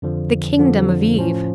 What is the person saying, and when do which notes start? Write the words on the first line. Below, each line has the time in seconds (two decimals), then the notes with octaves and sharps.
The kingdom of Eve.
0.02 F2 D3 F3
0.59 F2 D3 F3
1.16 A2 F3 C#4